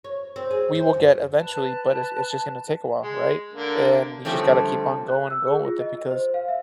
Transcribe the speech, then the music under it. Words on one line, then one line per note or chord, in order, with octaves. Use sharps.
we will get eventually, but it's it's just gonna take a while, right? And, we just gotta keep on going and going with it because
C#5
C4
G#4
C5
F#2
B4 A5
G#3
D3 A#3
D3 F3 G3 A3 C4 C#4
F#6
E6
G#4
F4
D#5
C5
F5
E5